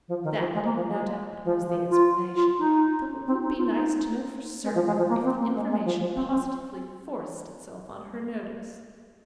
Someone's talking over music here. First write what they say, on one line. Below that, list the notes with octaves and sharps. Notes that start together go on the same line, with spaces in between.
That, no doubt, was the explanation, though it would be nice to know for certain, if the information positively forced itself on her notice. . . .
F3
D#3
F3
G#3
A#3
F3
G#3
F3
F3
F4
F4
D#4
C4
D#4
F4
D#4
G#3
F3
G#3
F3
A#3
C4
A#3
G#3
G#3
F3
F3
C4
C4